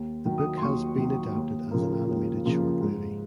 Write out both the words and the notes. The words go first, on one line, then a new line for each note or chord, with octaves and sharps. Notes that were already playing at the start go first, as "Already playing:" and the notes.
The book has been adapted as an animated short movie.
Already playing: D#2
D#3 F#3
D#6
C6
D#2 C#6
D#3 F#3
D#2
C#3 F3 A#3
D#2
C#3 F3 A#3
G#2